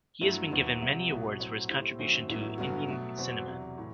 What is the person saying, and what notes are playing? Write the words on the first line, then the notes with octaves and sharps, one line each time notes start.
He has been given many awards for his contribution to Indian Cinema.
G2 F#3 A3 E4
D#2 D#3 F#3 B3 E4
C2 C3 F#3
C2 B2 F#3
A2 F#3 C4
A2 G3 C4 E4
F#2 D#3 A3 C4 F#4
A1 A2 F#3 B3 E4
G1 G2 F#3 B3 F#4
B2 F#3 A3
E2 B2 F#3 C4 F#4
E2 C3 F#3
A2 E3